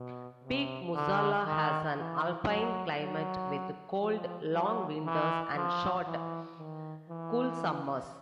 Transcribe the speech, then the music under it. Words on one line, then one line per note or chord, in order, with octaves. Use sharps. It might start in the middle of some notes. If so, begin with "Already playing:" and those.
Peak Musala has an alpine climate with cold, long winters and short, cool summers.
Already playing: B2
C3
D3
D#3
E3
F#3
F#3
F3
F#3
E3
F3
E3
D#3
E3